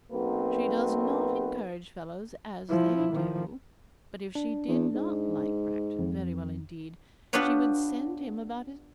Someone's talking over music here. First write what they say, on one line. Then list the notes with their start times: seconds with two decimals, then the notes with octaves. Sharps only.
She does not encourage fellows as they do; but if she did not like Bracton very well indeed, she would send him about his business.
0.12 B1 A#3 C4 F#4 B4
2.69 F3 E4
3.12 D#3 F3
4.35 D4
4.68 E2
4.95 G#2
5.99 F2
7.33 B3 D4 F4 G4 B4 C#5